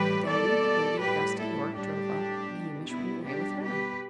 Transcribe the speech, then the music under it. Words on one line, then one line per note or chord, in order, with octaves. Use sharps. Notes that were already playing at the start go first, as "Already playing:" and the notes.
Then Lady Augusta Yorke drove up, and Hamish went away with her.
Already playing: A2 E3 G3 G4 B4
B2 G3 A4 D5
A2 G3 G4 B4
E4 A4
A2 G3 D4 G4
B2 G3
B3 E4
B2 G3 D4 G4
G4 B4